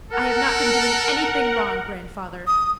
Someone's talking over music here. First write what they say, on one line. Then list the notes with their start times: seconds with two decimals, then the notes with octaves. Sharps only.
"I have not been doing anything wrong, Grandfather."
0.11 A4 A#4 F#5
2.47 D#6